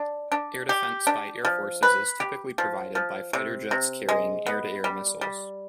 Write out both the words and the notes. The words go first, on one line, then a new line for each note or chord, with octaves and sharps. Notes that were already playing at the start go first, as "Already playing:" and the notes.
Air defence by air forces is typically provided by fighter jets carrying air-to-air missiles.
Already playing: D4
D4
G4
D4
F3
B4
G4
F3
F3
C3
C3
G#3
B3
G3
G3